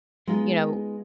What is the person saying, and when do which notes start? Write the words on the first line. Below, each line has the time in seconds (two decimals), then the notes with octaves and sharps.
you know,
0.27 G#3 B3 D#4 F4